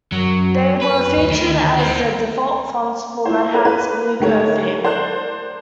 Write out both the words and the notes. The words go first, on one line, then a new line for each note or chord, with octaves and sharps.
They were featured as the default fonts for Red Hat's Bluecurve theme.
F#2 F#3
B4
D2
D2 D#3
C4 D#4
E4 F4 C5
A#4 B4 C#5
B4
D2 G#2 G4 A4 A#4 C#5
A#4 C5 D5 A5 C6 F#6